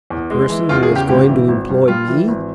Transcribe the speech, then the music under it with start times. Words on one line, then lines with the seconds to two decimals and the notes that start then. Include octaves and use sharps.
"The person who is going to employ me?"
0.10 E2
0.31 G#3
0.50 E3
0.69 E2 F4
0.83 G#4
0.90 C#3
0.96 G4
1.09 G#1 G4
1.29 E3
1.48 G#1
1.69 G2
1.88 G3 F4
2.08 E3
2.28 G#1